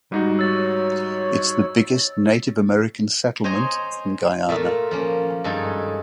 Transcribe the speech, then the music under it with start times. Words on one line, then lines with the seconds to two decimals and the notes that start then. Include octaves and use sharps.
It’s the biggest Native American settlement in Guyana.
0.12 G#2 G3 D#4 F#4
0.39 C#5 E6 A6
3.44 C5 C#5 D#5 G#5 A#5 C6
4.49 A#2 A3 F4
4.91 F3 A#3 C#4
5.44 G2 G#3 D#4 A4